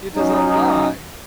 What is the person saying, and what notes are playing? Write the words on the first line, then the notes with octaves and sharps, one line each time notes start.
"It is a lie!"
F#3 C#4 D#4